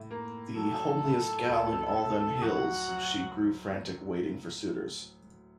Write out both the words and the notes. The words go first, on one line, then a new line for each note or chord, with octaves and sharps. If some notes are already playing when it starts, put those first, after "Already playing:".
The "homeliest gal in all them hills," she grew frantic waiting for suitors.
Already playing: A2
A#3
F#3 A4
A2
D2
D2
F#3 F#4
F#3